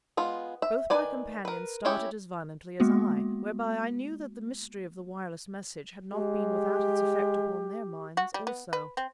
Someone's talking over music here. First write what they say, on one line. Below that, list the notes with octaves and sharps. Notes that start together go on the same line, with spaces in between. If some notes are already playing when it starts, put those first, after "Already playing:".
Both my companions started as violently as I, whereby I knew that the mystery of the wireless message had not been without its effect upon their minds also.
G#3 B3 F4
E5
D#3 B4 D5 G#5
A#4 B4
C#4 E4 G4 C#5
G#3 A#3 B3 F#4
G#3 G4
F#4
G3
B3
B4
C4